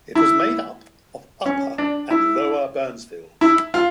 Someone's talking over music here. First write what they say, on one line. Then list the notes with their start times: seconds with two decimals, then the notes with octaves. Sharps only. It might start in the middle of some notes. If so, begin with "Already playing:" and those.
It was made up of Upper and Lower Byrnesville.
0.15 E4
1.46 C#4
1.78 D4
2.11 E4
3.41 E4
3.74 F4